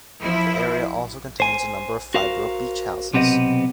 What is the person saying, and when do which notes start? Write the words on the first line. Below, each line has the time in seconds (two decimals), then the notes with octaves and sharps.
The area also contains a number of fibro beach houses.
0.20 F3 E4
1.40 C5 G#5
2.14 F#4 A#4 C5 F5
3.14 B1 C3 B3 C4 D#5